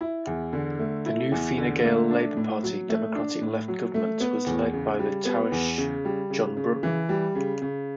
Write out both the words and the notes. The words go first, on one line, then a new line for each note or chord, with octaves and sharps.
The new Fine Gael-Labour Party-Democratic Left government was led by the Taoiseach John Bruton.
E4
E2
D3
A3
E4
E2
D3
A3
D4
A2
F#3
A3
D4
A2
F#3
A3
B3
E2
C#3
G3
B3
E2
C#3
G3
C#3
C#3
E3
G3
C#3
C#3